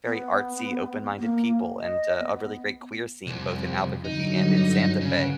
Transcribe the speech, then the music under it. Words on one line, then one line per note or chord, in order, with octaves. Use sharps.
very artsy, open-minded people, and a really great queer scene both in Albuquerque and in Santa Fe,
B3
A#3
D#5
B3
C2 F2
G2 D3 F#3 D#4
C#3 B3 F#5